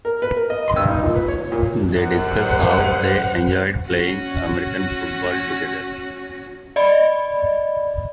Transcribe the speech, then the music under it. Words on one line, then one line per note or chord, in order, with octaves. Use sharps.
They discuss how they enjoyed playing American football together.
A#4
B4
A#4
D#5
G2
D#4
A#2
B4
C#5
A#2
F#2 G3 C5 F#5
C#4 F#4
D5 D#5 B5